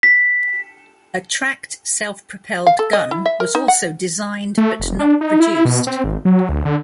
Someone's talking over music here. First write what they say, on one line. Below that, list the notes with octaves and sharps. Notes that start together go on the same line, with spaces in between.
A tracked self-propelled gun was also designed but not produced.
B6
F5
A4
D#5
E4
E5
A#4
D#4
F#5
A3
F1
D4
D#4
E4
B2
C4
G#1
F#3
D2
D3